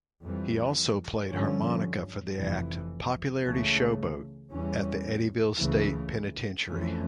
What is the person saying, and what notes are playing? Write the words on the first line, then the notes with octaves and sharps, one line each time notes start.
He also played harmonica for the act "Popularity Showboat" at the Eddyville State Penitentiary.
F2 E3 G3
G2 D3 F3 C#4
F1 F2 E3
C#2 C#3 E3 A3 C#4
E2 E3 G3 C#4
C#2 C#3 E3 A3
F2 E3 A3 C#4